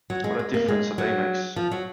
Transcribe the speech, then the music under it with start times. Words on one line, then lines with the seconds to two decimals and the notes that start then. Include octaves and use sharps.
What a Diff'rence a Day Makes!
0.10 F#3
0.24 G#3
0.39 G#3
0.54 A#3
0.68 G#3
0.98 F#3
1.56 F3
1.71 F#3